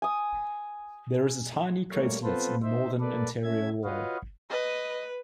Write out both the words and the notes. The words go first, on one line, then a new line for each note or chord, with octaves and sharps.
There is a tiny craterlet in the northern interior wall.
G#5 D#6
G3 A3 A#3 C#5
B3 C4 F4 A4 B4 C5
D#4 C5 E5
A#3 A4 B4 D5
A3 C#4 E5 G#6
F4 F#4 B4 C#5 D#5 F5
B4 D#5